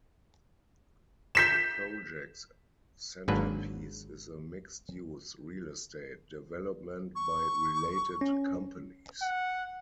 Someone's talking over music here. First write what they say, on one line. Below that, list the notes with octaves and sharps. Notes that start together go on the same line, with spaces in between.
The project's centerpiece is a mixed-use real estate development by Related Companies.
G6 B6 E7
G#1 G#2 F#3 A#3 D4 B4
C#6
C#4
F#5